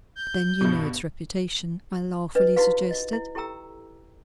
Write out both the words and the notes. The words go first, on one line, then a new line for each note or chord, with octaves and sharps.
"Then you know its reputation," I laughingly suggested.
G6
G2 B2
D4 B4 D#5
D#4 E4 F#4 G4 B4 F5
D#5
E4
E4 G4 A4 G5 A#5 E6